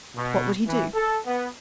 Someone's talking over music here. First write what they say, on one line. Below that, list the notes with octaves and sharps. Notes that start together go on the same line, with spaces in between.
What would he do?
B2
E3
A4
B3